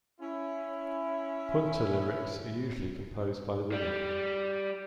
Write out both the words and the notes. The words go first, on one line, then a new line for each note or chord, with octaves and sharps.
Punta lyrics are usually composed by the women.
C#4 E4
G3